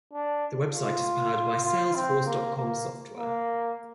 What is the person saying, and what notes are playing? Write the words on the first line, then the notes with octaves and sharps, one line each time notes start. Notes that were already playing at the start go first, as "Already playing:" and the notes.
The website is powered by Salesforce dot com software.
D4
F4
F4
C4
A#3
A#3
A#3